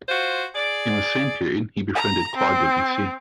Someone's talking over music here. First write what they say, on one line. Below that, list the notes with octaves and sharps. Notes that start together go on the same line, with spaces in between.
In the same period he befriended Claude Debussy.
F4 F#4 C5
G#4 D5
A#5
C4